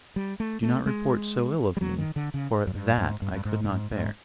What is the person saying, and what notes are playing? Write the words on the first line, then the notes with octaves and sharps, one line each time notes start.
Do not report so ill of me, for THAT I could not bear.
G3
A3
A3
G#3
G3
F#3
D#3
D3
C#3
F#2
G2
G#2
G2
G2
G#2
A2
G#2
G#2